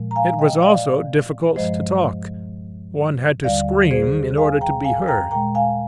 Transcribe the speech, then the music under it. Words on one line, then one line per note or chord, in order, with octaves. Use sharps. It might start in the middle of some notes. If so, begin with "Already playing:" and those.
It was also difficult to talk; one had to scream in order to be heard.
Already playing: A#2 F3 G#3
A#5
F5 G#5
D#5 G5
D5 F5
G2 F3 G#3 C5 D#5
D#2 D3 G3 D5 F5
G#4 C5
F5 G#5
G5 A#5
F5 G#5
G5 A#5
A#2 G#3 G5 A#5
F5 G#5